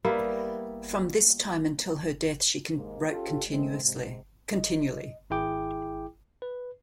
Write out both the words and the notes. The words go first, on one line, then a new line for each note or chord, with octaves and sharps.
From this time until her death, she wrote continually.
G3 A#3 B3 E4
D#2 G#2 G#3 A#3
C#4 F4 G4 A4
D#3 G#3 A3 C4
G#2 C3
D#5
G#1 E4 G#4 G5 D6
B4